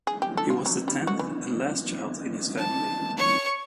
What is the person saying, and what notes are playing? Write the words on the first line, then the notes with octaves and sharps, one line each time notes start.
He was the tenth and last child in his family.
G#4
G4
A4
F4
F#3
G3
F#4
E3
A5
C#5 C#6